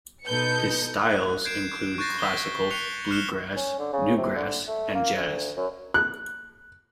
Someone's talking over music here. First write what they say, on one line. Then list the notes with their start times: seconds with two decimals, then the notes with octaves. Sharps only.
His styles include classical, bluegrass, newgrass, and jazz.
0.25 B2 D#4 A4 B4 G6 C#7
1.11 F#6
1.45 G6 G#6 C7 D7 E7
1.98 C#6 F#6 G6 A6 A#6 C7
2.19 B6 G7
2.71 C#6 F#6 C7 C#7 F7 G7
3.11 F6 F#6 C7 C#7 E7 G7
3.56 C#4
3.79 D3
3.93 C#3
4.17 C3
4.36 D3
4.68 A3
4.95 A#3
5.17 D2
5.57 F#2
5.94 F#6